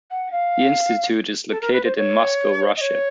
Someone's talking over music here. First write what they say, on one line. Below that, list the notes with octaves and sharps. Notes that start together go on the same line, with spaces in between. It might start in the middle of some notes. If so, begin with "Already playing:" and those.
The institute is located in Moscow, Russia.
F#5
F5
A4
A#4
B4
C5
C#5
D#5
C#5